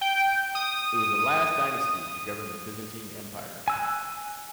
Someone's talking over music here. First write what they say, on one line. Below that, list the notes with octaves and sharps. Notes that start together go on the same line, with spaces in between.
It was the last dynasty to govern the Byzantine Empire.
G5
D#6
G#5 E6 F#6